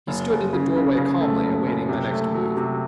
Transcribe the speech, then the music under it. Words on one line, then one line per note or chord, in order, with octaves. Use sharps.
He stood in the doorway calmly awaiting my next move.
F#1
F#1
C#3
C#3
C#3
A3
F#1
F#1
C3
A3
F#3
C3